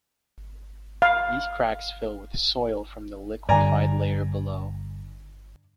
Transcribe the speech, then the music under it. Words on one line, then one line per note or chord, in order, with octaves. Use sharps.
These cracks fill with soil from the liquefied layer below.
F5
G2 D3 D5 G#5 A#5